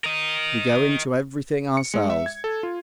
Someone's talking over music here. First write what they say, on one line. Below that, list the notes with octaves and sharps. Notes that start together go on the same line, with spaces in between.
We go into everything ourselves.
A#4 D#5
C#7
G#3
E5
G#6
A4
F4